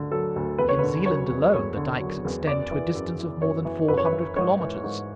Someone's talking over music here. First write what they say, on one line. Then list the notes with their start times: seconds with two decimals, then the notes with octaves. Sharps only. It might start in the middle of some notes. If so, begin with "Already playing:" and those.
In Zealand alone the dikes extend to a distance of more than four hundred kilometres.
Already playing: D2 D3
0.11 F#3 A4
0.36 D2
0.58 E2 B4
0.69 C#5
0.79 D3 B4
1.06 F#3 C#5
1.30 E2
1.54 E2 C#5
1.76 D3
2.00 F#3
2.25 E2
2.47 F#2 D5
2.71 E3
2.95 F#2
3.19 E3
3.42 F#2 C#5
3.65 E3
3.88 F#2 B4
3.98 C#5
4.05 B4
4.12 E3
4.36 G#2 C#5
4.59 E3
4.84 G#2